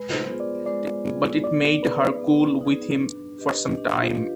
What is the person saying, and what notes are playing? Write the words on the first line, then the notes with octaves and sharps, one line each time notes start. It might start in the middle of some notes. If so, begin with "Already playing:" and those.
But it made her cool with him for some time.
Already playing: G#3 B4
C5
B3 F4 G#4
D5
G#3 D5
B3 F4 G#4
B3 D5
D#4 G#4 B4
B3
D#4 G#4
D4
G4 B4 D#5
D4
F4
G4 B4 D#5